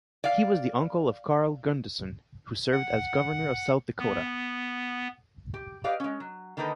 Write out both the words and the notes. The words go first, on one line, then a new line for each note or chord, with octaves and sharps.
He was the uncle of Carl Gunderson who served as Governor of South Dakota.
D5 F5
F#5
B3
G4
G4 B4 D5 D#5 F5
G#3 C#4
F#3
D3 D#3 A#3 D#4 A4 B4